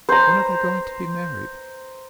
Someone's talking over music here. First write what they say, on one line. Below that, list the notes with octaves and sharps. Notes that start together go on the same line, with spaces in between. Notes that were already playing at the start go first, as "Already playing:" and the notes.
When are they going to be married?'
C5 A#5